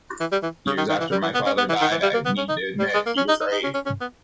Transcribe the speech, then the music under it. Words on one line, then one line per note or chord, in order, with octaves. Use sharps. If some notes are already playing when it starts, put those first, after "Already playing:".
Years after my father died I need to admit: He was right.
E3
G3
E3
C#3
D#3
D#3
E3
G3
E3
B3
C#4
B3
E3
D#3
E3
G3
A#3
B3
C#4
D#4
G3
G#3
A#3
C#4
D#4
D#4
D#4
C#4
C#4
C#4
B3